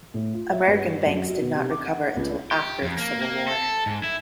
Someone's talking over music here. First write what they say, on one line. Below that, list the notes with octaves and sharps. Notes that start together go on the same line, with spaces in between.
American banks did not recover until after the civil war.
A2
F4
E5
G2
F#2
F#4
B2
C3
D6
F#5
C#2
G4
F2
A#3
A#3
A4
G#2
E4